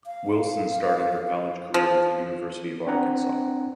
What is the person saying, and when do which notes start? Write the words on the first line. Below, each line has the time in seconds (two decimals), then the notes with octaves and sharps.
Wilson started her college career at the University of Arkansas.
0.06 F5
1.74 F3
2.87 C4 D4 F#5 A#5